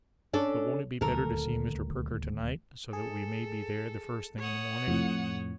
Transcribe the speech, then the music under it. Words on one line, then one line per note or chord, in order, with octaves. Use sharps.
But won't it be better to see Mr. Perker to-night, so that we may be there, the first thing in the morning?'
C#4 D4 A4
D#1 D2 F#3 A4 A#4
G#4 A4
C#5 F#5 D#6
F2 A2